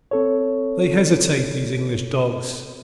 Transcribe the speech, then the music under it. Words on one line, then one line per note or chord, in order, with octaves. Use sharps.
They hesitate, these English dogs!
C4 A4 C#5